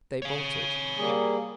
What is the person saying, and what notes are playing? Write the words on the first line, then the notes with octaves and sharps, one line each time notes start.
They bolted.
C#5 F5
G3 A#3 G#4